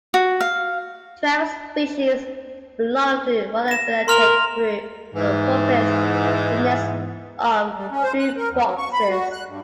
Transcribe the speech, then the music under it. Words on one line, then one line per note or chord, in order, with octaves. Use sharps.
Twelve species belong to the monophyletic group of "Vulpes" genus of "true foxes".
F#4
F5
A#6 E7
A#4 C6 F6 F7
G#2 E3
G3
C#4
C5
F#6
A#4
E2
F#3
C#6
B5
F#4
F#6
G2